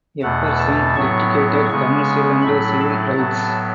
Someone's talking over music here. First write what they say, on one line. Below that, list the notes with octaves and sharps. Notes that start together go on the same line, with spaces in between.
Epperson litigated commercial and civil rights.
E2 B2 A3 F#5
A5
A2 F#3 B3 C#6
C#3 G#3 B3 C#6
A2 F#3 A3 B5
A5
A2 F#3 B3